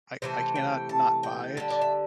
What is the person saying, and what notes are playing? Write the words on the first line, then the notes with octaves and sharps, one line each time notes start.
I I cannot not buy it,
C3 E3 A3 C5
G5
A5
G5
D3 G3 A5
D5
E5